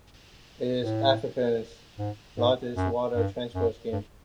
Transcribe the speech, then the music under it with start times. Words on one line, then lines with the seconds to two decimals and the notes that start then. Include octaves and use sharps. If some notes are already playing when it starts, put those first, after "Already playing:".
It is Africa's largest water transfer scheme.
0.81 A2
1.98 G#2
2.37 G#2
2.76 F#2
3.15 G2
3.54 F#2
3.93 G2